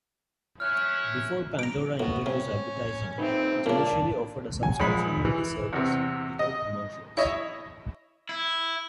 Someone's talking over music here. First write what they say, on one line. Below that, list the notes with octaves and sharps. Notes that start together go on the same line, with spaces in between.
Before Pandora introduced advertising it initially offered a subscription-only service without commercials.
C#4 E4 C#5 F6 F#6
A#5 D6
A2 B3 F#4
C3 C#4
A3 C4 D#4 B4
A#2 C#3 A#3 D4 D5
G#5
A#1 G#3 B5
E3
E2 C3
D#5
E4 C#5 D#5 E5
E4